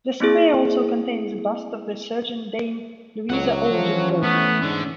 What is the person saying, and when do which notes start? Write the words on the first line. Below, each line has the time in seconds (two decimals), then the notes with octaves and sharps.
The square also contains a bust of the surgeon Dame Louisa Aldrich-Blake.
0.20 A#3 C4 E4 G#4
3.30 C#2 C#5 F#5
3.71 E3 F3 C#4
4.23 A3 B3
4.62 G#2 D3